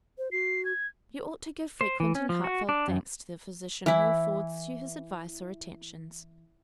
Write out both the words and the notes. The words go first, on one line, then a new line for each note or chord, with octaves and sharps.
You ought to give frequent and heartfelt thanks to the physician who affords you his advice or attentions.
C5
F#4 C7
G#6
C5
E3
C#4
F3
F#4
D4
F#2
E3 E4